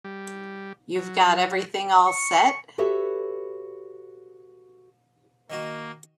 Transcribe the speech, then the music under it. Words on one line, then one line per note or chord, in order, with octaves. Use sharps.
You've got everything all set?
G3
F#3
C#6
F#4 G4 A4 B4 C#5 E5
D#3 A#3 D#4 F#4